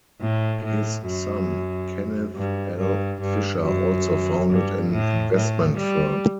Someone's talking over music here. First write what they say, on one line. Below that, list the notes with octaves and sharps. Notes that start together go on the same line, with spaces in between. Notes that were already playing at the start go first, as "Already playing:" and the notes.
His son Kenneth L. Fisher also founded an investment firm.
A2
A2
F#2
G2
G2
G2
F#2
G2
A2
A2
G3